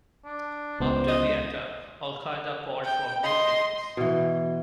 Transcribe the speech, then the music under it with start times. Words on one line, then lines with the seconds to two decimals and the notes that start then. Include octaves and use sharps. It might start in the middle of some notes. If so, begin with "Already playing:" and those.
After the attack, Al-Qaeda called for more killings.
0.25 D4
0.80 C#2 B3 C5
1.08 D#5
2.84 G5
3.23 D#5 C6
3.97 B2 E3